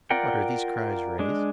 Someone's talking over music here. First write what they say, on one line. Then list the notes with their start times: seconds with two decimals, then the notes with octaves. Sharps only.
'For what are these cries raised?
0.10 F4 A#4 D5 F#5 G5
1.19 G#3 D4